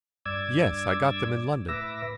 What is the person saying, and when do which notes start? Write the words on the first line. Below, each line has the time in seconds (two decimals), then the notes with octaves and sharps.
"Yes, I got them in London."
0.26 G2 D5 D6 E6 G#6
1.68 A2 B4 E5 D6 E6 A#6